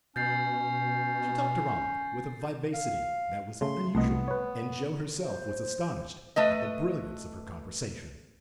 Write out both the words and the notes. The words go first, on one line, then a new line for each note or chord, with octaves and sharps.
She talked to Ronald with a vivacity that was unusual, and Joe herself was astonished at the brilliance of her conversation.
B2 C#4 G6 A6 C7
F5
C#3 A3 C6
C2 A3 B3 D#5
B4 C#5
C5
A3 B4 D#5